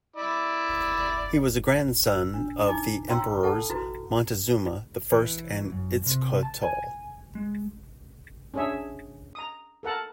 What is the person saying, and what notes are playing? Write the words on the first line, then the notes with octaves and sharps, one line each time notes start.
He was a grandson of the Emperors Moctezuma the First and Itzcoatl.
E4 D5
E6
D4
D#4 E4 G#5 D6
C#5 F5 G5 A#5 C6 E6
A4 F#5 A5
E4 F#4 B4
E3
F#2
C3
A5
G#5
G#3
C#4 D4 G#4 C#5 E5
A#5 D#6
A4 A#4 F#5 A5